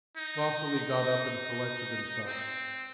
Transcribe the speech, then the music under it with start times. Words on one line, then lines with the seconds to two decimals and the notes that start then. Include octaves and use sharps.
Vasily got up and collected himself.
0.18 D#4
2.27 C4